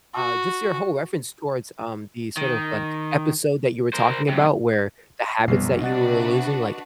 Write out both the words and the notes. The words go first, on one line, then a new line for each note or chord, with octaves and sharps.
uh, just your whole reference towards, um, the sort of, like, episode that you were talking about where the habits that you were losing, like,
F#4
D#3
A#4 C5
F#2 C3
A#1 F#2 B2 G3 B3 C7
C3 D4 F#4 B4 D#5 F#5 A6